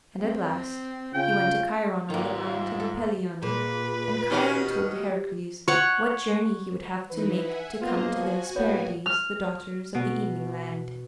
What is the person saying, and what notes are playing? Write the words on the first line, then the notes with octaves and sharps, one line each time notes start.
And at last he went to Chiron on the Mountain Pelion, and Chiron told Heracles what journey he would have to make to come to the Hesperides, the Daughters of the Evening Land.
C4
C#3 C#4 F4 G5
G#2 D#3 A#3 D#4 F4 A4 B4 D#5
G#4 E5 F5
A4
A#2 G#4 B4
D#3 C#4 F#4 G4
C#5 F#5
E3 D#4 E4 B4
E5 F#5 G#5
A#3 B3 F4 G#4 C5 D#5
F3 F#4 G#5
A2 A#3 B3 C#5
F6
B2